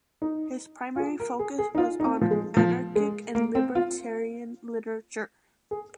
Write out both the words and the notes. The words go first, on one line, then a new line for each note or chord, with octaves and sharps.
His primary focus was on anarchic and libertarian literature.
D#4
F4
G#4
A#4
G#4
G#4
D#4
F4
D#4
C4
F3
G#3
F3
G#3
A#3
C4
F4
G#4